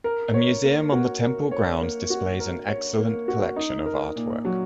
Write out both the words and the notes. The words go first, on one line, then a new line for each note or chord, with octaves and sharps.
A museum on the temple grounds displays an excellent collection of artwork.
A#4
C#5
A#3
F#4
A#4
C#5
A#3
F#4
A#4
C#5
A#3
F#4
D#4
A#4
A#2
F#3